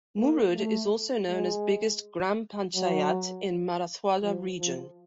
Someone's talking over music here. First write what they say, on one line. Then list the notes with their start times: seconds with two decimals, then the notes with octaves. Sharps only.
Murud is also known as biggest "Gram Panchayat" in "Marathwada" region.
0.19 A#3
0.55 A3
1.28 G#3
2.75 F#3
4.22 F3
4.59 F3